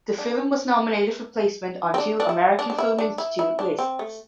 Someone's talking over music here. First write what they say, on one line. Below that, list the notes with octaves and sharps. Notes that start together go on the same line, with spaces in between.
The film was nominated for placement on two American Film Institute lists.
D4
C4
D4
D4
E4
D4
D4
E4
D4
E4
E4
D4
C4
A3